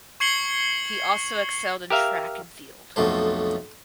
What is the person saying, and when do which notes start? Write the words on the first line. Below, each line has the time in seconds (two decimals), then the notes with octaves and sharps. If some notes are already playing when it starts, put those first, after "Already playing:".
He also excelled in track and field.
0.20 C#6 G#6 C7 C#7 F#7 G7
1.90 G4 A#4 E5 F5
2.96 B1 F2 B2 A3 C5